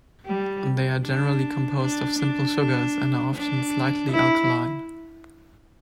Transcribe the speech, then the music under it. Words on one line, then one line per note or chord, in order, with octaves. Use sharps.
They are generally composed of simple sugars and are often slightly alkaline.
G3
D4
D4
D4
D4
E4